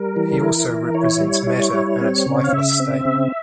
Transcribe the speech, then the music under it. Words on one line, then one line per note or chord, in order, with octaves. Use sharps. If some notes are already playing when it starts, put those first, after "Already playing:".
He also represents matter in its lifeless state.
Already playing: G3 A#4
E3
E4
E3
E4 C#5
G3
E4
G3
C4
C#3
F5
C#3 E5
C4
C#3